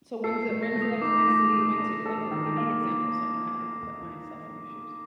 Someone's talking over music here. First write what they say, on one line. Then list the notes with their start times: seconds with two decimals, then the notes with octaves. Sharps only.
So, when's the when's the last last city you went to? Like, wh give me an example so I can kinda like put myself in your shoes.
0.24 A4 C7
0.43 C7
0.49 A3
0.63 A#6
0.76 A3
0.82 D#6
1.02 D#4 D6
1.28 A3
1.53 A3
1.79 D4
2.06 A4
2.31 D#3
2.57 A#3